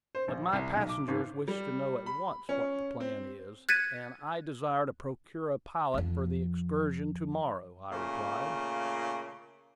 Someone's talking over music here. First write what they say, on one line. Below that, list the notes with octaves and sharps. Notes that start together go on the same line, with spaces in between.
"But my passengers wish to know at once what the plan is, and I desire to procure a pilot for the excursion to-morrow," I replied.
C5
A#1
C2
B1
D6
G#1
G3
B5
C#4
C4
F#6 G#6 A6 B6 C#7 D#7
F2 F3
A#2 C#3 A3